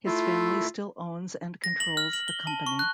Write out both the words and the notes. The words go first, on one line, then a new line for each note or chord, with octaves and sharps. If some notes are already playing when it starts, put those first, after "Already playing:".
His family still owns and controls the company.
A3 E4 F4 E5
A#6
F#7
F6
F#7
G7
A5
C#6
F#6